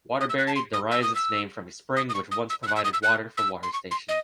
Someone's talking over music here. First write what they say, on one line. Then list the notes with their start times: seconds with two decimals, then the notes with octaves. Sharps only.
Waterbury derives its name from a spring which once provided water for water station.
0.21 D#6
0.29 E6
0.38 F#6
0.47 A5
0.56 C6
0.73 D#6
0.91 E6
1.02 D#6
1.15 E6
1.97 D#6
2.09 D#6
2.15 C#6
2.31 D#6
2.50 E6
2.63 E6
2.68 F#6
2.76 E6
2.84 D#6
2.93 E6
3.03 F#6
3.37 E6
3.63 C6
3.73 C#6
3.91 C6
4.09 D#5